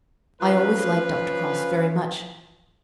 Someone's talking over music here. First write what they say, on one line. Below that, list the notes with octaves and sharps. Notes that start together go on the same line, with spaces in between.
I always liked Dr. Crofts very much.
F3 C#4 F4 B4